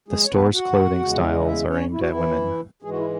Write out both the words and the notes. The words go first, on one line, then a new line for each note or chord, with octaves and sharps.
The store's clothing styles are aimed at women.
G#3 G#4
C#5
B3 B4
F#4 F#5
E2 C#3 G#3
E4 E5
C#4 C#5
E4
F#4
E3 E4
G#2 E3 G#3 G#4
F#4
E4